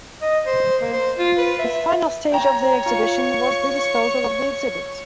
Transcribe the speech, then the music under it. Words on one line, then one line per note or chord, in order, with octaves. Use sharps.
The final stage of the Exhibition was the disposal of the exhibits.
D#5
C5
A#3
C5
F4
B4
E5
C#5 G5 A#5
F4 C#6